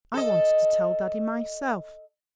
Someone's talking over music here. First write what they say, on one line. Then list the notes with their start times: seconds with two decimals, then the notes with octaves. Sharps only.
I wanted to tell daddy myself.
0.14 A4 D#5